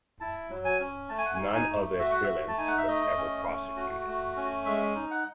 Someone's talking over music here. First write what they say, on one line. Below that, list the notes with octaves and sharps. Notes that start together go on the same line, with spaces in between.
None of the assailants was ever prosecuted.
E4 A5
F#3
G#5
C#4
A3 A5
G#5
F#5
G#5
D#4
G#5
A3
F#4 E5
F#5
E5
A3
A5
D#4 G#5
F#5
E5
A3 D#5
C#4
A3
F#4
A3
C#4
G#3 E5
D#4
F#5